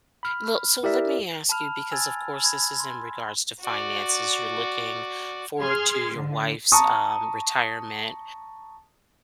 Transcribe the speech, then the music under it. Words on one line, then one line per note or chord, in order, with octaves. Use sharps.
Le so let me ask you because, of course, this is in regards to finances, you're looking forward to your wife's, um, retirement.
B5 F6
E4 G4 A#4 D5 E5
A5 B5 F6 F7
G#5 E6 G#6 A6
B5 G#6
C6
F#4 D5
G#4 C6 F6 G#6
D3
A5 A#5 C#6 D#6